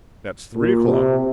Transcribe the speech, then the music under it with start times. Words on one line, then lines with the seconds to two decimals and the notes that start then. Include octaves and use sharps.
That's three o'clock.
0.55 A#2
0.87 C3